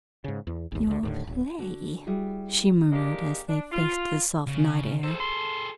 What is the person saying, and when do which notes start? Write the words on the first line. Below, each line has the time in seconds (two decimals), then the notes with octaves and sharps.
"Your play!" she murmured, as they faced the soft night air.
0.24 G#2 C#3
0.47 E2
0.72 G#1 D#2
0.87 D2 D3
1.03 D#2 A2 D3
1.27 D1
1.59 D3 F#4
2.07 G3 E4 F#4 G#4
2.92 D#3 G#3 A#3 D4 G4
3.49 D4
3.72 F4
4.47 C#3
5.03 G#4 A4 C5
5.20 C6